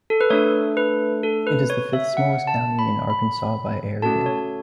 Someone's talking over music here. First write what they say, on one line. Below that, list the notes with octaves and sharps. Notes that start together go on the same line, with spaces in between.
It is the fifth-smallest county in Arkansas by area.
A4
B4
A3 D4 A4 C#5
B4
A4
B4
C#5
E5
F#5
A5
B5
B5
A3 C#4 F#4 A4 A5
C#5